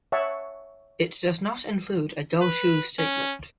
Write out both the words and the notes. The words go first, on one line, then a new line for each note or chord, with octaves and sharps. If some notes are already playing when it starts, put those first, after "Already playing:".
It does not include a goto statement.
C#5 E5 F#5 A5 C#6
B4
C#4